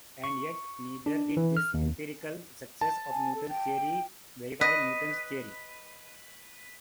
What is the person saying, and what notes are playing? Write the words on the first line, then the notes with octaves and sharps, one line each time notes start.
And yet neither did this empirical success of Newton's theory verify Newton's theory.
C#6
D4
E3
F6
D#2
A5
G#5
A4
G5
B4 D#5